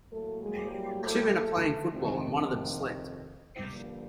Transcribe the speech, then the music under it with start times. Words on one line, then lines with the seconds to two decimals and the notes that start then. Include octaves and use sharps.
Two men are playing football, and one of them has slipped.
0.12 A2 F#3 A3 A#3 A4
0.42 G#3 G#4
0.72 G3 G4
1.02 A3 A4
1.91 F2 C3 D#3
3.69 G2 D3 F3 A#3